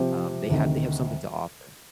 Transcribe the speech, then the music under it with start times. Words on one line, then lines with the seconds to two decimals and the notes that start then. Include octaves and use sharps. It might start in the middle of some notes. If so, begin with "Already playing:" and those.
um, they have, they have something to offer.
Already playing: C3 F3 C4 G4
0.50 D2 C3 D#3